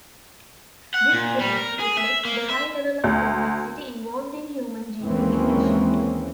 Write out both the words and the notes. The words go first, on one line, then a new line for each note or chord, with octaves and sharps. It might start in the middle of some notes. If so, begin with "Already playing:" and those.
This trend reflects the high level of complexity involved in human gene regulation.
F#5
A#2
G3
A#4
G#4
E5
A#3
E5
D2
D#2 E3 G#3 A#3 C4 C#4